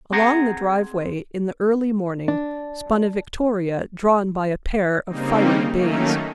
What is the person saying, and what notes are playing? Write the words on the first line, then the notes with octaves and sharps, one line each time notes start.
Along the driveway in the early morning spun a victoria drawn by a pair of fiery bays.
C4 G#4 F#5 A#5
D4
C#3 G3 A#3 C4 D#4
D#3 F#3 A3 A#3 C#4 D#4